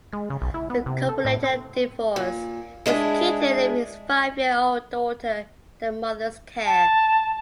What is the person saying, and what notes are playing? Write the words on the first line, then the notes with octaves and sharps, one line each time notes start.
The couple later divorced, with Keaton leaving his five-year-old daughter in her mother's care.
G#3
C#3
B1
E4
B3
C3
A4
A2
C4
A#2
G#3 D4 E4 G#4
A5